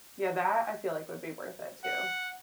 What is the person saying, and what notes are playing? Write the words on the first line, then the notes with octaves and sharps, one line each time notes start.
Yeah, that, I feel like would be worth it, too.
F#5